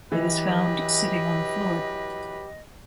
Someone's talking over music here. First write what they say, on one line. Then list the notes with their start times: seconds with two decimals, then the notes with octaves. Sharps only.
It is found sitting on the floor.
0.12 E3 F#3 G4 B4 D#5